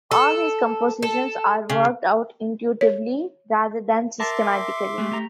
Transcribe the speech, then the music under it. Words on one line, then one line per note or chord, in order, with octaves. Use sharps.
All his compositions are worked out intuitively rather than systematically.
A4
A4
C#3
C#5
A#4 E5 A5 C6 D6
G#3 A3 G4
A3 G4 A#5